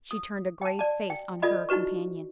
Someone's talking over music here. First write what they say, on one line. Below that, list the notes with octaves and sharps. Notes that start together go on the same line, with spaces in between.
She turned a grave face on her companion.
D#6
G5 A5
D5 A5
G5
F4 A4 D5 D#5 B5
D#4 E4 F#4 B4 C#6